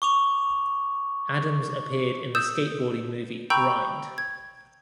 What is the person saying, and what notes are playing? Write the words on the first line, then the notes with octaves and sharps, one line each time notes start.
Adams appeared in the skateboarding movie "Grind".
C#6 D6 F7
D#6 E6 G6 E7
G5 A#5 B5 C#6 E6 G6
G#6